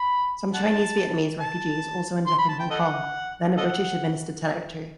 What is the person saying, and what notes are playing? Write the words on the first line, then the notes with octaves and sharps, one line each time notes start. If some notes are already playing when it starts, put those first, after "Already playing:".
Some Chinese Vietnamese refugees also ended up in Hong Kong, then a British-administered territory.
Already playing: B5
F#5 A5
A5
C6
B5
A5
G5
A4 D#5 F#5
A4 D#5 F#5